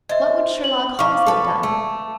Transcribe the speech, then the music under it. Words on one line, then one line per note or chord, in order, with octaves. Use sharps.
What would Sherlock Holmes have done?
C5 D#5 E5
F#7
F3 F5 C#6 D6
A4 B4
A3